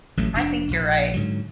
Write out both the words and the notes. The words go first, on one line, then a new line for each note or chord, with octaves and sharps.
I think you're right.
A1 F#3 A3
F1 C3 D4
A#1
G#2 D3 F#3